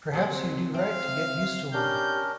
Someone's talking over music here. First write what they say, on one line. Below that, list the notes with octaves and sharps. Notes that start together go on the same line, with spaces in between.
Perhaps you do right to get used to one.
C3 F#3 A#3
C4 E5 F5
C#4 D4 G4 A#4 G6